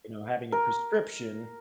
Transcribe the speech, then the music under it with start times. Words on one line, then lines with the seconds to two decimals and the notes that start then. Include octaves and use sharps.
you know, having a prescription,
0.52 A#4